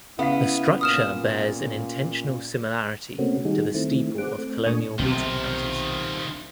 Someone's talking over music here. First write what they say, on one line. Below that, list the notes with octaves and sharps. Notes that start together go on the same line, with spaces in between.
The structure bears an intentional similarity to the steeple of colonial meeting houses.
C#3 B3 E4 F5 B6
A#2 D#6 F6 E7
C3 A3 A#3 C4 C#4 F#4
D#3 G3 D#4 F#4 G#4
D#3 A3 C4 E4
G#4 C5 F#5 D6
A3 C4
A#2 A3 D4 G#5 C#6 D#6
B1 C3 D#3 C4 F4